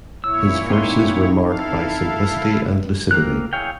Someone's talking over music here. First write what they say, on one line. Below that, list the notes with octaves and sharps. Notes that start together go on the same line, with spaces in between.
His verses were marked by simplicity and lucidity.
A#2 E4 C#5 E6
C4 D#4 C6
E4 A4 F5
A#3 C4 A#4 F#6
E4 G#4 C#5 F5 G5